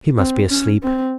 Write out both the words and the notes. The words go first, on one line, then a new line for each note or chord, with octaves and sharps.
He must be asleep.
C4
C#4
C4